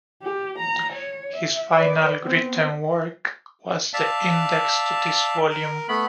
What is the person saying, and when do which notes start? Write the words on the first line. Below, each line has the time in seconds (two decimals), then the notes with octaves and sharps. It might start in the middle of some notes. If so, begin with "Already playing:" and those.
His final written work was the index to this volume.
0.23 G4
0.59 A#5
0.93 C#5
1.36 E5
1.76 B4 D5
2.22 B3 C4
3.93 D5 E5 F5 A5
5.50 A#4
5.89 A3 B3 B5